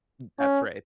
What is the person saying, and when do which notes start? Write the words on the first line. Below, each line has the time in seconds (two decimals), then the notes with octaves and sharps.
M that's right.
0.39 C#4